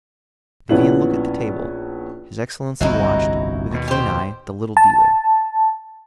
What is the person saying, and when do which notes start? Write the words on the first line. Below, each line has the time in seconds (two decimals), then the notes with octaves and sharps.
Vivian looked at the table; his excellency watched, with a keen eye, the little dealer.
0.69 A#1 B3 C#4 E4 F#7
2.81 G1 C2 F2 D#4 E4 F#4
3.70 D#2 B2
3.88 G4 C5
4.77 A5